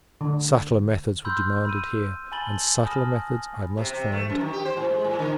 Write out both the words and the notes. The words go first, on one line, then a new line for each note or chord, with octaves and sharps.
Subtler methods were demanded here and subtler methods I must find.
D3
B5 C6 E6 F6 G6
B5 E6 D#7
G#5 A5 B5 A6 F#7 G7
G#5 A5 B5 D#6 F6 A#6
C3
C3
A3
F#2
D#3
G4
C5
A2
G#3
A2
D3